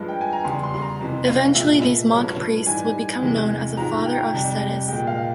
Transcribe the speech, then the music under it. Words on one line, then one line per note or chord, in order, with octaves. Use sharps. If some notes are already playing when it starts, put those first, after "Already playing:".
Eventually these monk priests would become known as a "Father of Scetis".
Already playing: G2 F3 G#3
G5
G#5
A#5
E2 C#3 G3 C6
C6
C6
A#5
F2 C3 E3
F5
A#2 F3 G#3 E5
G2 F3 G#3 C#5
G#2 E3 G3 G#5
E2 C3 E3 G#3
G#2 F3 G#3 A#5
G5
F2 C3 G3
A#2 G#3 G5
F5